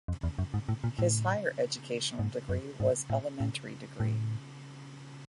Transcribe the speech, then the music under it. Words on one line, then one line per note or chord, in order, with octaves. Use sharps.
His higher educational degree was elementary degree.
F2
E2
F#2
G#2
A2
A#2
A2
G#2
F#2
G#2
A2
A2
A2